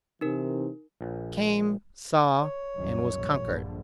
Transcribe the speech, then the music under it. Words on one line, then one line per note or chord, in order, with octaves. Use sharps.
I came, saw, and was conquered.
C3 E3 D#4 A#4
A#1
C#5
C2 F#2 D#3
A#1 G#2
A#1 G2 D3